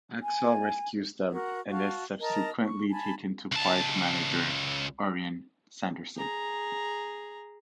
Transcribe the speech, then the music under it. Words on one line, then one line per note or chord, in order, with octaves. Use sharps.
Axel rescues them and is subsequently taken to park manager Orrin Sanderson.
G#5
F#4 A#4 F#5
F#4 F5 A5
A#4 D#5 A5 A#5
C#6
G#5 A5 B5
C#2 A5
G#4 A#5